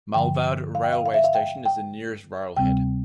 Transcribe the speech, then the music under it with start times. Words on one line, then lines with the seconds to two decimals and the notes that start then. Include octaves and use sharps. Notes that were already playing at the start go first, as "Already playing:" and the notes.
Mulvad Railway Station is the nearest railhead.
0.14 G2 D3 F3 G5
0.75 F5
0.83 G5
0.93 F5
1.06 F5
1.14 E5
1.24 F5
1.35 G5
1.66 G5
2.56 D2 C3 G3 C4 G5